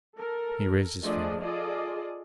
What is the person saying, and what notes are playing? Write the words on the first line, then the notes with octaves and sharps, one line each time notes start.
He raised his finger.
A4 A#4
F3 A3 D4 G#4 D5 D#5
F4 G#4 A4 D5 D#5